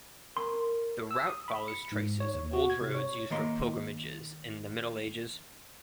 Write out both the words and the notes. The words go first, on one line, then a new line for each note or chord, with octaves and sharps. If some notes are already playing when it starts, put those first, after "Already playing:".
The route follows traces of old roads used for pilgrimages in the Middle Ages.
A#4 C6
E6
D#6
B5
C#7
G#2
C#5
D#2
F#4
G#6
C3
C#5
D#3 A#3 C6